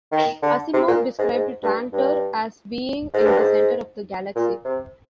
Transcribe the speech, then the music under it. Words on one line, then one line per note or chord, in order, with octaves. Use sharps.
Asimov described Trantor as being in the centre of the galaxy.
D#3
D3
C3
A#2
G#2
G#2
G2
G2
G#2
G2
G#2
A#2
C3